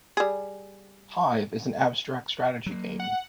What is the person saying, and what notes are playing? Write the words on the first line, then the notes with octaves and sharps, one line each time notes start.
"Hive" is an abstract strategy game.
G3 G#4
F#3 A#3
F#5